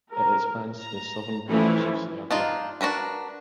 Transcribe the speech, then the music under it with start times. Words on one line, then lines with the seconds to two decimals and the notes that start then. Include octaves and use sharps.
It expands to the southern parts of Serbia.
0.10 A#4
0.83 A#5
1.48 E3 F3 A3 C#4 E4
2.31 D4 D#4 F4
2.81 D4 F#4 A#4 B4